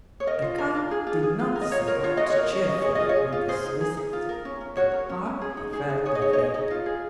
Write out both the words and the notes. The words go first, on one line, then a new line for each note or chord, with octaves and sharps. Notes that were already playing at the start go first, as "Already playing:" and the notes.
The count did not set out cheerfully on this visit, at heart he felt afraid.
C#5
A#4 D#5
F4
A#4
F4
G#4
F4
G#4
F4
A#4
D#5
F4 C#5
A#4 C#5
F4 C#5
F#4 D#5
C#5
A#4
D#5
C#4 C#5
C#4 D#5
G#4 C#5
D#5
F4
C#5
G#4
F4
G#4 C5
D#4
G#4
D#4
F4
A#4
C#4
C#4
F#4 C#5
A#4
C#4
C#4
G#4
D#4
G#4
D#4
G#4 C#5
D#5
D#4 C#5
C#5
G#4 D#5
D#4 D#5
F4
G#4